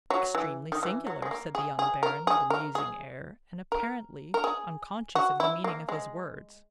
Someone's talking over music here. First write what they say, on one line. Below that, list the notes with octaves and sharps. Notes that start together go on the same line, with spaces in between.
"Extremely singular!" said the young Baron, with a musing air, and apparently unconscious of the meaning of his words.
F#3
E3
D#3
E3
F#3
G#3
A#3
G#4
G#4
A#4
G#4
A#4
G#4
A#4
A#4
G#4
F#4
E4
A#3
G#3